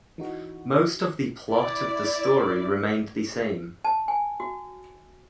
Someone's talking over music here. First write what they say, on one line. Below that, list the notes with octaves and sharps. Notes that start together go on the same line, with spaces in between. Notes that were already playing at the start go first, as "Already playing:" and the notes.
Most of the plot of the story remained the same.
E3 D#4 F#4
E4 D5
A5
G#5
F#4